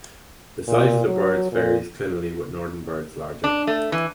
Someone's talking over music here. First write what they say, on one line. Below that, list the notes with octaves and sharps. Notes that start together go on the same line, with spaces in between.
The size of the birds varies clinally with northern birds larger.
A#2
F#3
A#2
D4
A3
E3